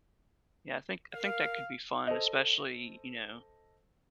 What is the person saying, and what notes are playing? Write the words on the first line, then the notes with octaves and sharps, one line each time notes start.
Yeah, I think I think that could be fun, especially, you know
A#4 F5
A4 C5 D#5